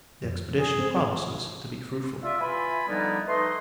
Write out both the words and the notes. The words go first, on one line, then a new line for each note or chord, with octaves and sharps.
The expedition promises to be fruitful.
F2
G#4
C4
F4 D5 E5
E3 F4 G#5 B5
D3 F3 G3 A#3 B3 D#4
A3 D#4 B4 D#5 C6